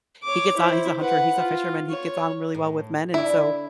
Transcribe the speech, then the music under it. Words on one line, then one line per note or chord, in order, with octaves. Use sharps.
he gets on he's a hunter, he's a fisherman, he gets on really well with men, and so
C#5 D6
E4 C5
B4 F#5
F4
C#5
A2
D3 E4 D5